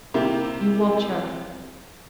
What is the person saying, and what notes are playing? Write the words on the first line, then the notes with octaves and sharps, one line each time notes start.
You watch her.
C3 A#3 E4 G4